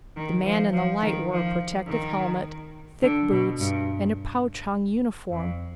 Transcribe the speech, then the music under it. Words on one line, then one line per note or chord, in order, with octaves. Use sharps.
The man in the light wore a protective helmet, thick boots and a pouch-hung uniform.
D#3
F3
F3
D#3
F3
D#3
D3
B2
G2
F2